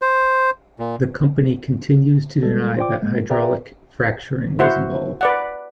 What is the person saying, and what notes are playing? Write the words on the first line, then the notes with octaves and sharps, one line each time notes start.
The company continues to deny that hydraulic fracturing was involved.
C5
A#2
G3 G#3 A4
F4 C5 D5 G5 D6
G#3 A#3
G#4 B4 D5 E5 G5 A#5
E4 F#4 C5 F#5
B4 D5 F#5